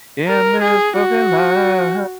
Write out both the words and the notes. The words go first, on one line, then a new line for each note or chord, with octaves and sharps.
in this fucking life,
A#4
G#4
F#4